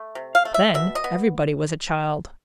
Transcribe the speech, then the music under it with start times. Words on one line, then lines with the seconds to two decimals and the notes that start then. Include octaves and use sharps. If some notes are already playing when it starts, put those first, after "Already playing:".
Then, everybody was a child.
Already playing: A3
0.15 C3
0.35 F5
0.45 A3
0.54 E5
0.74 B2 E5
0.95 D#5
1.04 B3